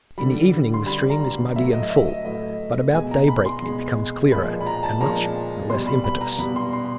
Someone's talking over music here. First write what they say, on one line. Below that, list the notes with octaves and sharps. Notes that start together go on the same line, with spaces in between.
In the evening the stream is muddy and full, but about daybreak it becomes clearer, and much less impetuous.
D3 G3 B5
C6
D3 G3 B5
A#5
A2 F#3 A3 E5
D#5
E5
D#5
A2 F#3 A3 D#5
B2 G#3 G#5
A#5
B5
C6
B2 G#3
A#2 F3 G#3 B5
B5
A#5
A5
A#2 F3 G#3 A#5
B2 G3 C6
B5
B5
A#5
B2 G3 B5
C6
C6